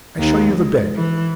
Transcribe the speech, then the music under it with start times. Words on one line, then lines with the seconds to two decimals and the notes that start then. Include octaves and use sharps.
I show you the bed.
0.19 D#2
0.53 G#3
0.95 E3